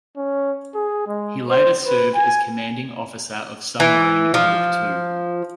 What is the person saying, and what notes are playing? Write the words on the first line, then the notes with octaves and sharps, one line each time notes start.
He later served as commanding officer of Submarine Group Two.
C#4
G#4
G#3
C5
B4
G#5
E3
F3